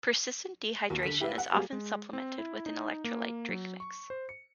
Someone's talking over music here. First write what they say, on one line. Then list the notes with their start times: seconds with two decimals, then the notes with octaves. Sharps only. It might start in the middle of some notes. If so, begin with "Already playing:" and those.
Persistent dehydration is often supplemented with an electrolyte mix drink.
0.90 D#2 F#4
1.03 D3 B6
1.20 E4 G4 B4 E5 F5
1.38 F#5
1.53 F#3 G3 A#3 G4 G#4
1.73 G#3
2.13 C4
2.38 E4
2.66 D#4
3.04 A#3
3.49 F#3
3.80 C#6
4.10 C5
4.29 C#7